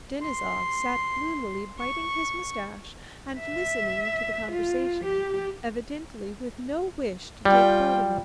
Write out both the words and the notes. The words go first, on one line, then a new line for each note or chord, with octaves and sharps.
Denisov sat gloomily biting his mustache and listening to the conversation, evidently with no wish to take part in it.
C6
C#6
E5
F4
G4
G3 F4 G5